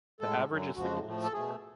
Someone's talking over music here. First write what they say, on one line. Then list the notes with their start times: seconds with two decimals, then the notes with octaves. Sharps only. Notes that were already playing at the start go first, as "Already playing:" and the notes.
The average is the Golde score.
0.20 A2 G#3 A4
0.48 F#2 D3 F#3
0.76 F2 C#3 F3 G#3 F#4
1.04 A2 F3 A3
1.24 A4
1.33 B2 A3 G#4